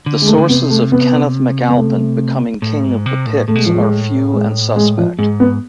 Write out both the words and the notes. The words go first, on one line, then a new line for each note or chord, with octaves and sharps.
The sources of Kenneth MacAlpin becoming king of the Picts are few and suspect.
D3
G#3
A3
D3
C3 B3
A3
B3
B3
A3
A2
G#2
C3
A2
A2 A3
B2 G#3
A2 F3
G#3
G#3
G#3
F3
G#2 G#3
B3